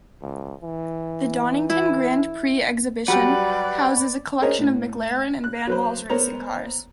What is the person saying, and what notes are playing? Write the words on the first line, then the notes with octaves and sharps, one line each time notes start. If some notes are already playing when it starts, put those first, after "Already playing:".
The Donington Grand Prix Exhibition houses a collection of McLaren and Vanwalls racing cars.
C#2
E3
E4
F#3 G3 B4 D5 F#5 G5
C#4 G#4 A#4 C5 C#5 D#5
A2
F#6
F#3 B4 C5
B3 A#4 C5 C#5 A#5